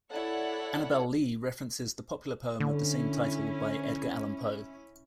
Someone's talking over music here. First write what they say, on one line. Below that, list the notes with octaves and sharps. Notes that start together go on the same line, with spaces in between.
"Annabel Lee" references the popular poem of the same title by Edgar Allan Poe.
E4 A4 C#5 D5 F#5
D3 C#4 E4